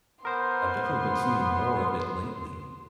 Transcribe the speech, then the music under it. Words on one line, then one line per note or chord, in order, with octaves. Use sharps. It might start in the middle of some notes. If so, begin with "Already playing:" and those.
I've definitely been seeing more of it lately.
B3 A#4 C5 C6